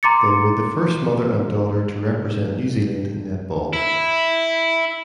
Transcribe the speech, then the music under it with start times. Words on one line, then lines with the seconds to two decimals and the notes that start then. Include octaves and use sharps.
They were the first mother and daughter to represent New Zealand in netball.
0.03 A#5 C6 D6 A6 C#7
3.73 E4